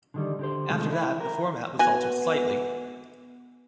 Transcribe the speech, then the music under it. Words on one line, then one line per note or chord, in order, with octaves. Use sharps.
After that, the format was altered slightly.
D3 D#3 G3
D3 G4 C5
C3 D#3 F3 G#3 A3
E4
A#4
B3 F#4 G#5